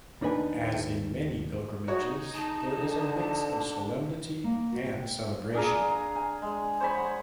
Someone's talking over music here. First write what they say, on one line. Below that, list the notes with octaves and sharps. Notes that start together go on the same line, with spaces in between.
As in many pilgrimages, there is a mix of solemnity and celebration.
D#2 D4 D#4 B4 G#5
D#4 F#4 G#4 C#5
A5
D3
A#3
F#4
G5
D4 G#4 F5 A#5
A#5
G#5
G#3
C5 C#5 G#5 B5
F#5